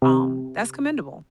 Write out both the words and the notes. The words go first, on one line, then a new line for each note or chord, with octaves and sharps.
um, that's commendable
C3